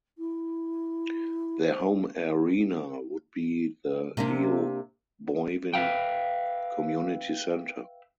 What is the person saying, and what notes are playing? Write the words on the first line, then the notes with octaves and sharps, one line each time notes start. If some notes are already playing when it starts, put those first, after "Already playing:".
Their home arena would be the Leo Boivin Community Centre.
E4
C5
C3 A#3 D4
B4 E5 F5 G5